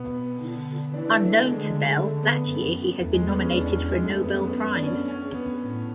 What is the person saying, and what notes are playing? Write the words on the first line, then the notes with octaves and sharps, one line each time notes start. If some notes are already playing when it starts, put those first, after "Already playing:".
Unknown to Bell, that year he had been nominated for a Nobel Prize.
Already playing: B2 B3
D3
E3 D4
D4
A3
G#3
D3 G#3
G#3
A3
A3
D3 A3
B3
F#2
E2 A3
G#3
B3
C#4
E2 D4
C#4
G#3
F#2 A3
B3
A3
B3
B3
B3
D4
C#4
C#4
B3
A2